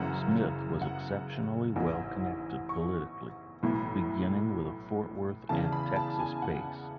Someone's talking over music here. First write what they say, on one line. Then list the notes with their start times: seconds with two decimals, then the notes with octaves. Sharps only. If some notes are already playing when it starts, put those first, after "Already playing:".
Smith was exceptionally well-connected politically, beginning with a Fort Worth and Texas base.
Already playing: F#1 F#2 C#3 E3 F#5
0.82 F#5
1.76 A1 G#2 E3
2.69 C#6
3.63 B1 A2 E3
5.49 E2 C#3 E3 A5
5.72 B5
5.96 A5
6.19 G#5
6.42 F#5